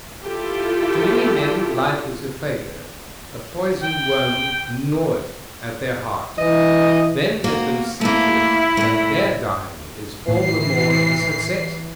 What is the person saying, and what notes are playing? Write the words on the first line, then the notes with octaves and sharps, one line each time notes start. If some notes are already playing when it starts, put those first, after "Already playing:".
To many men life is a failure; a poison-worm gnaweth at their heart. Then let them see to it that their dying is all the more a success.
E4 F4 G4 A4
G5
E3 D#5
A#3 F#4
A3 A#3 E4
A2 A3
A2 E3 C7